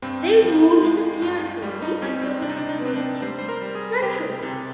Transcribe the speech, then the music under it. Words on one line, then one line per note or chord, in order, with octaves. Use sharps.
They ruled in the territory until the thirteenth century.
G2 C4
C4
F3
G#3
G2
G3
D#4
G3 C4
C4
C3 D4
D#4
D4
D#4
C3 C4
D4
G3 C5
C5
A#4
G3
G#4
C3 G4
C3